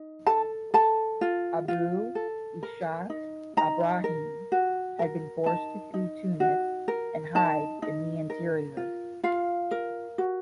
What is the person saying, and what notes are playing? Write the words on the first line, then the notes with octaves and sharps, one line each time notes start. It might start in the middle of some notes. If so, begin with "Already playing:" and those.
Abu Ishaq Ibrahim had been forced to flee Tunis and hide in the interior.
Already playing: D#4
A4 A5
A4 A5
F4
F4
A4
A#4
D#4
D#4 A#5
A#4
F#4
A#4
D#4 A5
D#4
F#4
A#4
D#4 A5
D#4
A#4
F4
F4 F5
A#4
F#4